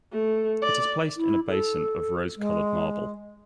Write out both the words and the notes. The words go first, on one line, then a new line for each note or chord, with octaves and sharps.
It is placed in a basin of rose-colored marble.
A3
D5
E4
A4
G#3